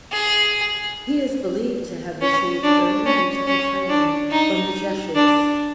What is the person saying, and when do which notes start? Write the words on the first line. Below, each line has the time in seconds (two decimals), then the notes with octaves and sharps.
He is believed to have received early musical training from the Jesuits.
0.12 G#4
2.21 C#4
2.63 D4
3.05 C#4
3.47 C#4
3.89 D4
4.31 D#4
5.15 D4